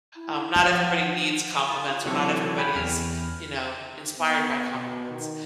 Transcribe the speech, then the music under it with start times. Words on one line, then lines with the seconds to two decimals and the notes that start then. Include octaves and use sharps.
um, not everybody needs compliments or not everybody is, you know, inspired by compliments,
0.16 E4
0.56 F3 G5
0.76 F#5
1.69 F4
2.06 C3 E3 F#3 G4 A4 C#6
2.58 B4 G5 G#5 B5
2.75 E2 F6
4.18 B3
4.71 B2
5.09 D#3